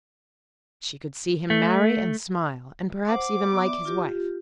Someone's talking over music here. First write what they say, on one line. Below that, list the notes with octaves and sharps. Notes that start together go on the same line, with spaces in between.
She could see him marry, and smile,--and perhaps even like his wife.
A3
C5 F#5 D6
B3
D5 E5
F4 G4